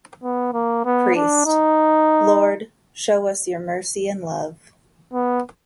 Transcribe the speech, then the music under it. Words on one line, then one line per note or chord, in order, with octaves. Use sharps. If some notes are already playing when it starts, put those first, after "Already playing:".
Priest: Lord, show us your mercy and love.
B3
A#3
B3
D4
D#4
B3